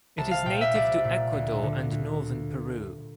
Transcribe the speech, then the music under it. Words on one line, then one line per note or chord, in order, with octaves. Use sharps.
It is native to Ecuador and northern Peru.
C2 A5
F5
A#2 G5
E5
C2 D5
A#2
D2
D3
D2